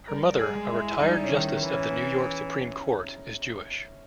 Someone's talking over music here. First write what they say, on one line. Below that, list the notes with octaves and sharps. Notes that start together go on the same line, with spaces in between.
Her mother, a retired justice of the New York Supreme Court, is Jewish.
G3 A#4
G#4
G3
G#3
E4
E4
G3 D#4
C#4
D#3
D#3
E3
C#4